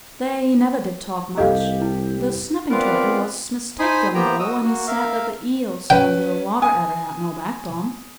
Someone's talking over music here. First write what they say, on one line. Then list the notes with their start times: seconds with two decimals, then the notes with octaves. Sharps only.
They never did talk much. The Snapping Turtle was mistaken though, when he said that the Eels and the Water-Adder had no backbone.
1.38 C2 G4 A4 D#5 F5
1.81 E4
2.71 B3 C4 F4 A#4 B4 D5
3.79 D#4 C5 G#5 B5 C6 D#6
4.14 A#3 B3 G4 C5 G5 A#5
4.39 F#4 D#5 D#6 E6
4.62 A#3 F#4
4.87 A#4 E5 F5
5.90 C#4 B4 G5
6.62 G#5 D#6